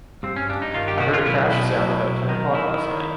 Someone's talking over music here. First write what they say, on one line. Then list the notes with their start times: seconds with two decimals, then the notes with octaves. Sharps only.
I heard a crash sound about ten o'clock last night.
0.23 G2 C4
0.36 C#4
0.49 G2 D4
0.62 D#4
0.74 D#3 F4
0.88 G4
1.00 D#3 F#4
1.13 F4
1.26 B1 E4
1.52 B2
1.77 F#3
2.03 B1
2.28 D#3 D#4
2.54 D#3 E4
2.80 D#3